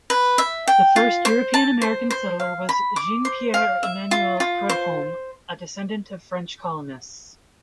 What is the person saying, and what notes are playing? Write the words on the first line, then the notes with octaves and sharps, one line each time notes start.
The first European-American settler was Jean Pierre Emanuel Prudhomme, a descendant of French colonists.
B4
E5
G5
F4
C5
A5
C5
C5
F5
B5
D6
C5
F5
E5
F4
F4
C5